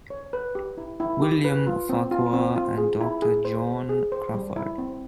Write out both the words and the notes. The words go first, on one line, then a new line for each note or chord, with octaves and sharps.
William Farquhar and Doctor John Crawfurd.
C#5
B4
G4
E4
E4
G4
B4
F4
C4
F4
C4
F4
G#4
E4
G#4
C5
C5
G#4
C5
G3
E4
C4